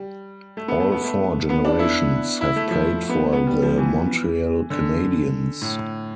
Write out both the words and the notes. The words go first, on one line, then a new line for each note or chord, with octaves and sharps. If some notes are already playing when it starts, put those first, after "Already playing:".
All four generations have played for the Montreal Canadiens.
Already playing: G3
A3
B3
A3
B3
A3
B3
D4
E4
E4
A3
F3
B3
B3
G3
F3
E3
D3
A2